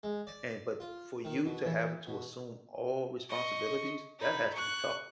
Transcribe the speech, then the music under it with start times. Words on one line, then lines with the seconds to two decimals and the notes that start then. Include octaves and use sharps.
And but for you to have to assume all responsibilities, that has to be tough,
0.03 G#3
0.27 D5
0.80 F4
1.25 D#3
1.46 B2
1.65 E3
2.07 B2
3.29 D#5 C#6
4.19 D#4 B5
4.53 C#6 F#6